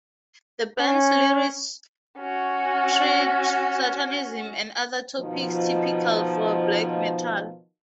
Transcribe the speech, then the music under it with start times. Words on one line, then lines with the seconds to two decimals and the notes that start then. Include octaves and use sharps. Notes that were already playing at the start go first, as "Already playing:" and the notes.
The band's lyrics treat Satanism and other topics typical for black metal.
0.80 C#4
2.19 C#4 F#4
5.20 B2 D#3 F3